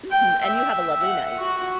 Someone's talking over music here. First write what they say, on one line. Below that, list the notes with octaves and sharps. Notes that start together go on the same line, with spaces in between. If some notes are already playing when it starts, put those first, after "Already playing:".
Mhm, and you have a lovely night.
G5
E5
F#5
F#4